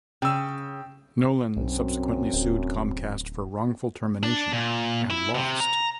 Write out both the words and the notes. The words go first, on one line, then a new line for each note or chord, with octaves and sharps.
Nolan subsequently sued Comcast for wrongful termination, and lost.
C#3 G5 E6
B1 F#2 C4
D1
D4
A#2
E4
C3
A#5